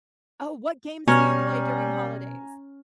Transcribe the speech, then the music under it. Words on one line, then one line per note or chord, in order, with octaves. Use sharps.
Oh, what games do you play during holidays?
B2 G3 C#4 C#5 G#5 A#5 F6